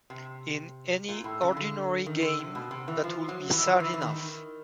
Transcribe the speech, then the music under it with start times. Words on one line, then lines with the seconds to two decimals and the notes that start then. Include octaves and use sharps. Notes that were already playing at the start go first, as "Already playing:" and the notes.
In any ordinary game, that would be sad enough.
0.10 C3
1.09 A#2
1.24 A2
1.41 C#3
1.57 D3
2.06 D#3
2.22 D3
2.39 C3
2.55 B2
2.71 C3
2.88 E3
3.04 F3
3.28 F#3
3.52 E3
3.66 F3
3.80 E3
3.94 E3
4.02 D#3